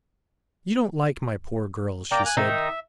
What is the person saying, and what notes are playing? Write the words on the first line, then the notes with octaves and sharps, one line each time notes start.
"You don't like my poor girls," she said.
A#3 D5 G5 A#5
G#5 F#6
D#3 D#4 E5